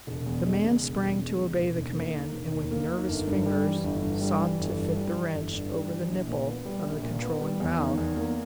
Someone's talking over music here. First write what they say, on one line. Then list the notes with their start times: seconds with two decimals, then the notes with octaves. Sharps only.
The man sprang to obey the command, and, with nervous fingers, sought to fit the wrench over the nipple of the controlling valve.
0.07 E1
0.26 E2
0.45 G#3
0.64 C#3
0.83 E1
1.01 E2
1.20 G#3
1.39 C#3
1.58 E1
1.76 D#2
1.96 A#3
2.14 D#3
2.33 E1
2.52 D#2
2.71 A#3
2.90 D#3
3.08 G1
3.27 G2
3.46 G3
3.64 E3
3.84 G1
4.02 G2
4.21 G3
4.40 E3
4.59 G1
4.78 G2
4.97 G3
5.16 E3
5.34 G1
5.53 G2
5.71 G3
5.91 E3
6.10 A#1
6.28 A#2
6.47 B3
6.66 G3
6.85 A#1
7.03 A#2
7.22 B3
7.41 G3
7.60 E2
7.78 D#3
7.98 E2
8.16 A#3